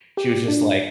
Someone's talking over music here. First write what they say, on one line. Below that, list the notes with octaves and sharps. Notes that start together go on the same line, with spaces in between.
She was just, like
G4
D4